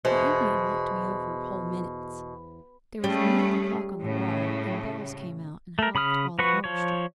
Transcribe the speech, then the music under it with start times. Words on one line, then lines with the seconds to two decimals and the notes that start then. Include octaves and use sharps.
'The Indian looked me over whole minutes--there was a musical clock on the wall and dolls came out and hopped while the hour struck.
0.05 E2 B2 G#4 C5
3.04 G3 A3 C#4 G#4
4.01 A2 C#3
5.79 A3 A#4
5.95 C#3 B5 D#6 F6
6.39 F3 F#4 B4 C#6
6.64 F3 C#5